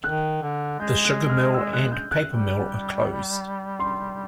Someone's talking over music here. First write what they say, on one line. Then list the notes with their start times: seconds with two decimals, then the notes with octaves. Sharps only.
The sugar mill and paper mill are closed.
0.04 D#3 F#6
0.42 D3
0.79 G#3 G6
1.05 F#6
1.30 F6
1.54 E6
1.73 F#6
1.92 G6
2.11 F#6
2.29 G3
3.79 C6